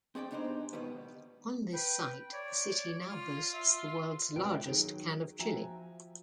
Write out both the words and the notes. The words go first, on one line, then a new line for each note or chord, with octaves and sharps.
On this site the city now boasts the world's largest can of chili.
C4 G#4 D5 F#5 G5
B3 D4 D#4 G4 G#4 C5
C#2 B2 D#3 G3 B3
B4 G5
C#5 D5
F4 F6
E5
C#2 C3 B4 G5 D7
D#3 F#3 G#4
F3 F#4 E5 G5 G#5 A#5